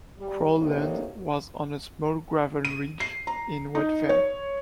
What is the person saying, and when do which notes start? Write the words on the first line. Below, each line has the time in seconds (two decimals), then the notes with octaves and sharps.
Crowland was on a small gravel ridge in wet fen.
0.19 G3
0.58 A2 C3 D#3 F#3 A#3 D4
2.65 D#7
3.00 C7
3.27 A#5
3.75 D#4
4.09 C#5